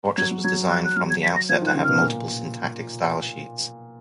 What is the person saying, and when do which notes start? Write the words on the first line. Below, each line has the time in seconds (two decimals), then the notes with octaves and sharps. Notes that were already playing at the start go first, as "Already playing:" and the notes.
Fortress was designed from the outset to have multiple syntactic stylesheets.
0.17 F#3 G#6
0.31 F#3
0.44 F#3 G#6
0.70 F#6
0.85 F#6
0.96 F#3 F6
1.10 G#6
1.23 B6
1.36 A#6
1.49 F3 G#6
1.62 D#3
1.67 F#6
1.75 C#3
1.84 B2 F6
2.01 A#2